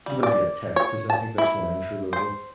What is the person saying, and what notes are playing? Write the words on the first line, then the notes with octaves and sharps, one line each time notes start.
you wouldn't be a tech 'cause I think that's more entry level.
G3
D5
C#5
A5
E4
C5